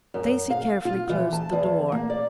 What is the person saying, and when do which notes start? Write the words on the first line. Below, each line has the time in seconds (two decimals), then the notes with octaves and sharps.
Stacey carefully closed the door.
0.14 F#2
0.50 F5
0.85 F4
1.09 E3
1.33 A5
1.53 E2
1.92 A#3
2.10 D5